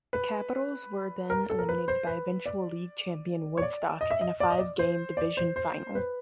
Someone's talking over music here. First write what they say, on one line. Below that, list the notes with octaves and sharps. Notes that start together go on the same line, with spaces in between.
The Capitals were then eliminated by eventual league-champion Woodstock in a five-game division final.
B4
A#4
A4
A#4
B4
C5
B4
D5
C#5
D5
D#5
E5
D#5
D5
D#5
D5
C5
D5
C5
C5
B4